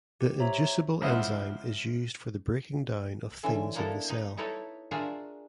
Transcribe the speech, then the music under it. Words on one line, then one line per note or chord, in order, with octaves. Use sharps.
The Inducible enzyme is used for the breaking-down of things in the cell.
G4
C5 C#5 E5 A#5
C#2 F3 C4 E4 D#5 F#5
D3 E3 C#4 E5
A#3 B3 D4 E4 A4
D#4 B4
D#4 E4 A4 B4 C#5
D4 F4 F#4 G#4 A#4 E5